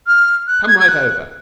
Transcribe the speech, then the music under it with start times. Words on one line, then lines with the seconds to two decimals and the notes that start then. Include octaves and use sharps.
Come right over.
0.07 F6
0.48 F#6
0.68 G#6
0.80 G#6
0.88 F#6